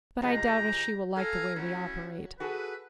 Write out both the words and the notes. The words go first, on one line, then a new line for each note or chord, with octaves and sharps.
But I doubt if she will like the way we operate.
C3 F3 G#3 G5 A#5
A4 F5 G#5 A#5
F#3 A3 C#4 E4 F#4
F#4 G#4 A4 B4